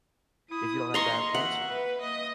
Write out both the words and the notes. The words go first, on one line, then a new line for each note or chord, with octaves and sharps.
if you don't have bad parts of you.
E4 D#6
A#3 D#5 A#5 C6 C#6
E5 F#5
B4
A#3 D#5